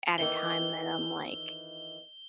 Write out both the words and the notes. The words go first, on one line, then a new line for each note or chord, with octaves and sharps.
at a time that I'm, like,
F2 D#3 E3 G7